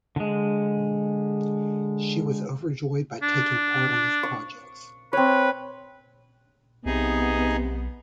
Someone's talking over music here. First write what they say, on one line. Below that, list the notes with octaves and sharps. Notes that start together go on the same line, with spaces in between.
She was overjoyed by taking part on these projects.
D3 G#3
D4
C#6
C4 B4 C#5
B1 C3 B3 D#4 G#4